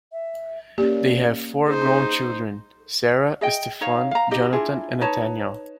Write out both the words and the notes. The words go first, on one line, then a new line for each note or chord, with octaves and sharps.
They have four grown children: Sarah, Stephan, Jonathan, and Nathaniel.
E5
A#3 C#4 G4 D5
D#4 G#4 C5
G#4 D#5 G5
D#4 C#5 F5
F5 A#5
D#4 G4 D#5
D4 E4 F4 G#4
D#4 B4 C#5 A5